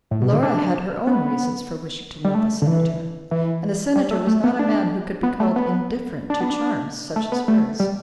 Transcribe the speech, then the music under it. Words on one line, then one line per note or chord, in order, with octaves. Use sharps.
Laura had her own reasons for wishing to know the Senator, and the Senator was not a man who could be called indifferent to charms such as hers.
A2
B2
D3
D4
B3
G3
A3
D3
E3
E3
G3
A3
A3
B3
D4
B3
A3
B3
D4
B3
D4
A3
B3
A3
G3